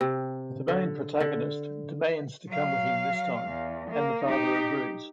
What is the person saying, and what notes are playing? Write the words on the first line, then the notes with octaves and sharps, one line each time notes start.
The main protagonist demands to come with him this time, and the father agrees.
C3
D3
D3
F#3 F5
E2
A#3
D#4 G4